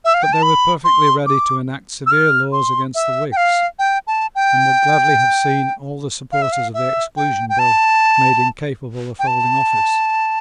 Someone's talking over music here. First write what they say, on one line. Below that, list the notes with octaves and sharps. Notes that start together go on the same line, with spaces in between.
But they were perfectly ready to enact severe laws against the Whigs, and would gladly have seen all the supporters of the Exclusion Bill made incapable of holding office.
E5
F5
G5
A5
B5
C6
D6
E6
F6
C6
E5
G5
F5
G5
A5
G5
F5
E5
F5
E5
G5
G5
A5
G5
A5